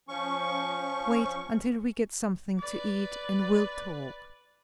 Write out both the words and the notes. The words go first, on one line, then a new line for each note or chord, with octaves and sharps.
Wait until we get something to eat, and we'll talk.
F3 C#4 C#6
B4 D5